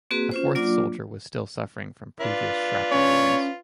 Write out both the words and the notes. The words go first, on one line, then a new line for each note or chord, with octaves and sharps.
A fourth soldier was still suffering from previous shrapnel wounds.
A#3 C4 F#4 G#4 B4
C#4 F4 C5
F#3 A#3 D4 F4 D5 D6
D4 F4 B4
C#4 C#5